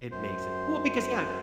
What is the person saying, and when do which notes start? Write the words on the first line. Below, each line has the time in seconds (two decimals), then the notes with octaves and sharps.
it makes it well, because, yeah it
0.11 F#2 C5